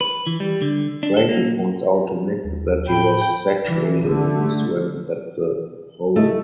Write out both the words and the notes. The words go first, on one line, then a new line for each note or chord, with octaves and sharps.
Frankie points out to Mick that he was sexually abused when at the home.
B4
E3
G3
D3
D4
A4
A#3
D#2
A2 G5 B5
E3
D3 A3
G3 A3 E4 D#5